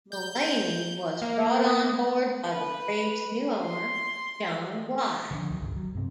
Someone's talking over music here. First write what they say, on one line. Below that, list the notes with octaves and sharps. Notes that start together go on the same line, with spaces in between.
Mullaney was brought on board by the Braves' new owner, John Y.
G6
A#3
B4
C6
D3 F3 D4
D2 D#3 F#3
G1 C#2
F#3
G2 C3 C4